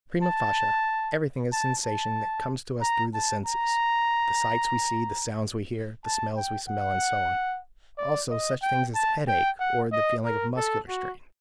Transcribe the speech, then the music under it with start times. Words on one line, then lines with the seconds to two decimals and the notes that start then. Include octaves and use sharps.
Prima facie, everything is sensation that comes to us through the senses: the sights we see, the sounds we hear, the smells we smell, and so on; also such things as headache or the feeling of muscular strain.
0.22 A5
1.52 A5
1.84 A5
2.81 A#5
3.14 A5
3.46 A#5
6.05 A5
6.36 G5
6.69 F#5
7.98 D5
8.30 D#5
8.62 G5
8.95 A5
9.28 G5
9.60 F#5
9.92 D#5
10.24 A#4
10.56 A4
10.89 F#4